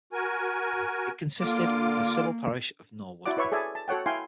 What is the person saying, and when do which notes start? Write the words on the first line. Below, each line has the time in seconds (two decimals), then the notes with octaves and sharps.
It consisted of the civil parish of Norwood.
0.13 F#4 A#4 G#5
1.40 D3 A#3 F4 D6
3.26 E4 F#4 D5 F#5 D6
3.37 E4 B4 C#5 E5 C#6
3.52 G#4 A4 D5 E5 G#5
3.75 A5
3.88 F#4 A4 C#5 F#5 G5
4.06 E4 F5 G5 G#5 C6